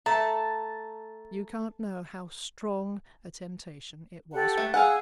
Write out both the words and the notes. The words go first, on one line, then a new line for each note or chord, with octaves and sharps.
You can't know how strong a temptation it was.
A3 A5 A#5
G4 A4 F#5
A3
G#4 F5 F#5 G#5 E6